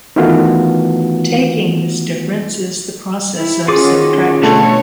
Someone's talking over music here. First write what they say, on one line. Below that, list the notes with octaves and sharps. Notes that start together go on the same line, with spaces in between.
Taking this difference is the process of subtraction.
D#3 E3 A3 B3 F4 F#4
E4
D#3 C#4 F4 F#4 G#4 D6
B2 D3 A3 C#5 A5